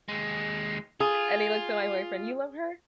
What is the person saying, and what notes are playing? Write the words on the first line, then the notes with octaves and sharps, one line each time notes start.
and he looks at my boyfriend, "You love her?"
D#2 G#3
F4 G#4